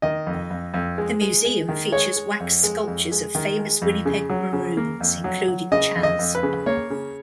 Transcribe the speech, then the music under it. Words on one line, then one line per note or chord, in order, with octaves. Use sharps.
The museum features wax sculptures of famous Winnipeg Maroons, including Chas.
D#3 D#5
F2
F2
F2
G#3
G#3
G#3
D#3
G#3 C#5
G#3
F2
G#3
F2
G#3
D#3
G#3
F2
C#3
F#3
C#3
A#3
F2
F#3
F#3
C#3 D#5
F2
D#5
F2
B4
C#3
A#3 C#5
C#3